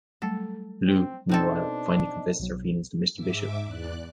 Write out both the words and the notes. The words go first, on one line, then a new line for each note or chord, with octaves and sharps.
Bleu, meanwhile, finally confesses her feelings to Mr. Bishop.
F#3 G3 A3 A4
C4
B2 C4 D4 D#4 A4 D#5
B1 F#3
G#2 E5 D6
E2 D5 F#6